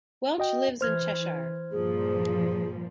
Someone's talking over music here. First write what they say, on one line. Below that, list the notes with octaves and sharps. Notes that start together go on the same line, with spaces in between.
Welch lives in Cheshire.
F#4 D#5 G5
E3 C5 F6 G#6
G2 A#2 F3 G#4